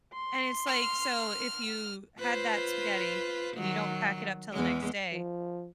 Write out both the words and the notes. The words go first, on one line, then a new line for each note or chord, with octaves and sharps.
And it's like, so if you had that spaghetti and you don't pack it up till the next day,
C6
F6
F4 B4 C5
D#3 F#3
E2 G#3
F3